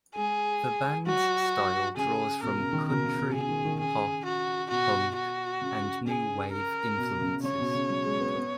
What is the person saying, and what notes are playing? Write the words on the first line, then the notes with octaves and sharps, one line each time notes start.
The band's style draws from country, pop, punk and new wave influences.
G#3 G#4
F#3 F#4
C#3 G#4
B2 A#4
C#3
D#3
B2 A#4
C#3
B2
C#3 G#4
D#3
D#3
C#3 G#4
F#4
B2 F#4
F#4
C#3
C#3 G#4
A#4
B2
C#3
C#3 C#5
B2
C#3
F#3
G#3
B3
B3